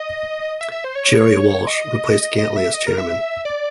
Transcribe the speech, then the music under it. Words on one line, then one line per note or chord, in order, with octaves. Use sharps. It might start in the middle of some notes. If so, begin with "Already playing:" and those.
Gerry Walsh replaced Gantly as chairman.
Already playing: D#5
E5
E5
C5
C#5
D#5
D#5
E5
D#5
A#4
E5
D5